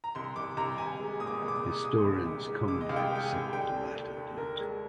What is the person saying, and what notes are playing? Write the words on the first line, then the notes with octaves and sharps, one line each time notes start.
Historians commonly accept the latter date.
A#5
C2 C6
C2 D6
C2 A#5
C2 G#5
G#3
A#2 D#6
D6
C2
D6
D#6
G#3
A#2 D#6
C2
C2 D6
G#3
C2 D6
D#5
C2 F5
G5
G#3 G5
G#5
C2
D3 G5
D#2
D#2
D#2
D3 A#4
G#3